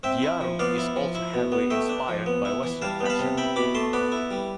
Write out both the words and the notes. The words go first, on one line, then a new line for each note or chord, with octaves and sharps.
"Gyaru" is also heavily inspired by Western fashion.
C4 E5 G5
E4
F3
B3 D5 F5
E4
F3
E4
B2
B3
A3 E5 G5
D4
F3
B3
E4
E3
G3 F5 A5
B3
B5
F5 A5
C3
E4 G5 B5
B2 B5 D6
A3 A5 C6
B3 B4 D5
E4
G3